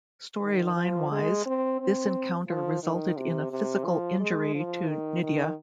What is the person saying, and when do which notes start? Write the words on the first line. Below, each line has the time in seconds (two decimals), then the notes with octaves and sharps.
Storyline-wise, this encounter resulted in a physical 'injury' to Nidia.
0.42 D#3
0.76 F3
1.12 G#3
1.46 C4
1.80 C4
2.48 F3
2.83 D#3
3.17 C3
3.51 C3
3.85 F3
4.20 G#3
4.54 F3
4.88 D#3
5.23 D#3